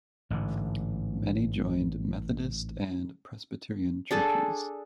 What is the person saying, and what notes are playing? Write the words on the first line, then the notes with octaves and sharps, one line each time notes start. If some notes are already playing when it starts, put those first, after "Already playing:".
Many joined Methodist and Presbyterian churches.
A1 G#2 D3
D4 G#4 A4